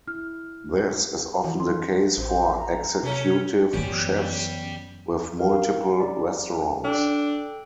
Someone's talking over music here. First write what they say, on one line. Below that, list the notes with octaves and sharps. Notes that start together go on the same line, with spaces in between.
This is often the case for executive chefs with multiple restaurants.
E4 F6
E3 F3 F#4
C6
A1 C5
A#5
C3 A3 C#4
F#2 E3 B3 C#4 G4 D5
A#4 F5
D5 A#5
D4 A4 G5